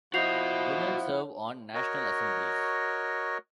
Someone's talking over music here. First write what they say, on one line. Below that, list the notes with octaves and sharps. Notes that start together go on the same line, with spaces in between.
Women serve on National Assemblies.
F3 E4 F#4 D#5 F#5 G6 C7 F7
F#4 A#4 C#5 D#5